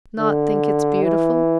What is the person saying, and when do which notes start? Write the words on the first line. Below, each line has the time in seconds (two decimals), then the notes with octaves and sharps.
"Not think it beautiful?"
0.19 D3
1.03 E3